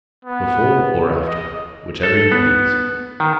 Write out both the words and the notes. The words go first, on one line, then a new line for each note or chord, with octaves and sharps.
"Before or after, whichever you please."
B3
D#5
A4
B3
D#3